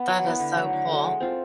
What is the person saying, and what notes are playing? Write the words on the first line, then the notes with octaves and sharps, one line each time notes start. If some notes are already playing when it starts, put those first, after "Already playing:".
That is so cool.
Already playing: B3
F#3
B3 E4
D3
F#3 A3
D3
F#3 A3
G#3
C4 F4 A4